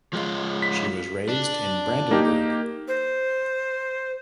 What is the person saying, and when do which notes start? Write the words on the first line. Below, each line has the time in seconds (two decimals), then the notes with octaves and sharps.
She was raised in Brandenburg.
0.13 F3 G#3 F4
0.62 B6
1.28 D4
2.11 A#3 D#4 G4
2.88 C5